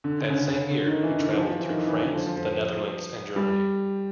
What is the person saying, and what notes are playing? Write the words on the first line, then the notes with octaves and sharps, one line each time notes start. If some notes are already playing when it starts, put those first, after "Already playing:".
That same year he travelled through France, the Netherlands and Germany.
D3
D3
C#3
C#3
D3
D#3
E3
D#3
D3
D#3
F3
F3
E3
D#3
E3
D3
F3
F3
F3
G3